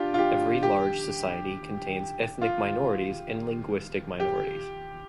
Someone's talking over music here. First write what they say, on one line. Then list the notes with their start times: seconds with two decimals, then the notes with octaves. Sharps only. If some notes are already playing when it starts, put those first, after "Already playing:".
Every large society contains ethnic minorities and linguistic minorities.
Already playing: D4 F4 G4
0.14 F4
0.18 G4
0.63 G4
2.42 F4
4.20 G4